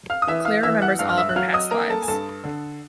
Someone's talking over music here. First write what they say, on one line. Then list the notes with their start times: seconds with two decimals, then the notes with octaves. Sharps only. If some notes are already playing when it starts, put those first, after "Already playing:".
Claire remembers all of her past lives.
0.10 F5 F6
0.22 D#6
0.27 E3 E5 E6
0.45 F5 F6
0.63 E3 E5 E6
0.82 F#5 F#6
0.99 G2 F5 F6
1.09 F6
1.17 E5 E6
1.29 F#6
1.36 F#3 F5 F6
1.53 D#5 D#6
1.71 A#3 A#4 A#5
1.90 A4 A5
2.02 G#5
2.08 G2 A4 A5
2.44 D3